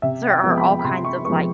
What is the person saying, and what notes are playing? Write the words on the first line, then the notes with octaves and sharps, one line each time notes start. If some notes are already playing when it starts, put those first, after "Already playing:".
There are all kinds of, like,
C3 E5
G5
F3 G#3 B3
B5
B5
C3 C6
C#6
F3 G#3 B3 C#6